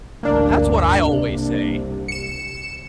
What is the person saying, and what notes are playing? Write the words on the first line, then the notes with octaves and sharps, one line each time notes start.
That's what I always say.
A1 D2 G2 A#3 D4
C2 C3
C#7 E7